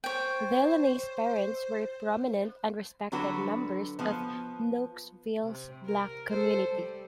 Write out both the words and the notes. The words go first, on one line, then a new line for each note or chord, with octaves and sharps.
Delaney's parents were prominent and respected members of Knoxville's black community.
C5 C#5 G5
D3 F#3 D4 F#4 B4
F3 B3
C3
A#4
A4 C5
G3